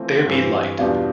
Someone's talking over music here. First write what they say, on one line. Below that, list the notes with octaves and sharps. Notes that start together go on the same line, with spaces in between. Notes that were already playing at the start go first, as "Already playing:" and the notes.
There Be Light.
Already playing: E3 A3 C4 F4
G2 E3 G3 C4
E2 B2 G3 D4 F4